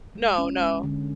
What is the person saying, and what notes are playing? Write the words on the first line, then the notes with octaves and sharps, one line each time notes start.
No, no.
G#3
C#4
G#3
D3